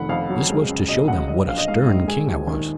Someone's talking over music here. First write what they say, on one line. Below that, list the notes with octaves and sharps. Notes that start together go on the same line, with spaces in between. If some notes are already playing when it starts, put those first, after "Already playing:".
This was to show them what a stern king I was.
Already playing: F1 D#3 F#5 B5
F2 F5
F#3
G#3
C#2
B2 D#5
C#2 F#5
F#3 D#5
A#1 F5
D#5
G#2 F5
A#1
G#3 G#5
D#2
D#3